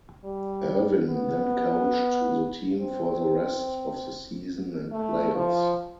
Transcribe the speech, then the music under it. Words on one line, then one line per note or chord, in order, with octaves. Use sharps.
Irvin then coached the team for the rest of the season and playoffs.
G3
B3
C4
A3
F3